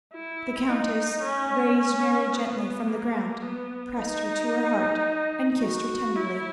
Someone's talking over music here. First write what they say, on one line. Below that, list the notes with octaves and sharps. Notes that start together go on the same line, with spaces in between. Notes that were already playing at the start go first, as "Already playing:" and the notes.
The Countess raised Mary gently from the ground, pressed her to her heart, and kissed her tenderly.
E4
D#4
C#4
C#4
B3
A#3
B3
D#4
F#4
E4